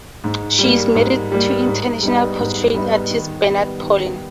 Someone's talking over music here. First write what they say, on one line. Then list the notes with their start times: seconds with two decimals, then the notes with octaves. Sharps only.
She is married to international portrait artist Bernard Poulin.
0.24 G#2
0.59 G3
0.64 A#3
0.95 G#2
1.32 G3 A#3
1.67 G#2
2.03 G3 B3 D#4
2.38 G#2
2.74 G3 B3 D#4
3.10 D#3
3.46 G3 B3
3.83 D#3